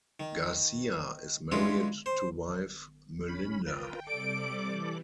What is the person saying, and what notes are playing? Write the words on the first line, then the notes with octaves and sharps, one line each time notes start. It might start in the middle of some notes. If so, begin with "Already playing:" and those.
Garcia is married to wife MeLinda.
D#3
E3 G#3 C#4 D4 F4
C5
C#4 B5
F4 A#4 B4 G5
C3 G3 A4 D5 D6 D7
E3